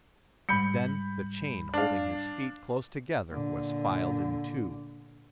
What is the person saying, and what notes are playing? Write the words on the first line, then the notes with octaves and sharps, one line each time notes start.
Then the chain holding his feet close together was filed in two.
G#2 G3 B5 G6 C#7
D4 F5
A#2 D3